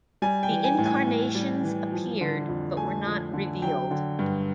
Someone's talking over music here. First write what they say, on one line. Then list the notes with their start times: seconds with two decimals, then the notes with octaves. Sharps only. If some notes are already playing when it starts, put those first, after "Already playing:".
The incarnations appeared, but were not revealed.
0.22 G3 G#5
0.43 G5
0.50 E3
0.64 G#5
0.78 A2
0.86 G#5
1.07 A2
1.35 G3
1.64 E3
1.92 F3
2.21 D3
2.48 F2
2.77 A3 G#5
3.05 F3
3.33 D3
3.62 F#3 G5
3.91 D3
4.19 G2